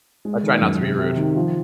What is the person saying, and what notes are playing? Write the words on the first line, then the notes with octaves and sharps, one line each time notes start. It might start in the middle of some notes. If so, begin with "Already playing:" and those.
I try not to be rude.
G#3
D#3
F#2
C3
C3
D#3
F3